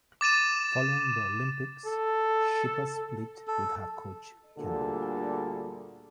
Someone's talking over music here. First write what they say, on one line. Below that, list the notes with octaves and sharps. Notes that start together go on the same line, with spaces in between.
Following the Olympics, Schipper split with her coach Ken Wood.
D6 A6 D#7 E7
A4
A4
D2 A#2 D3 G3 G#4 A4